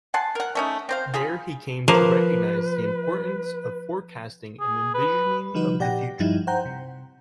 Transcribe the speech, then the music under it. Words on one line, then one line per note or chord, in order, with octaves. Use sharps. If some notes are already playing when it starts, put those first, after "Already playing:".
There he came to recognize the importance of forecasting and envisioning of the future.
F#5 G#5 A5 C6
A#4 F#5
A3 C#4 D#4
C4 C5 F5
F4 G#4 F5 B5
F3 A#3 B4
G#4
B4
D3 F3 G3 D#4 F#4 B4
A#2 G4 D5 F#5 G5 A#6
G2 F3 G3 D#4 E4
C5 F#5 G5 A#5 G6
C3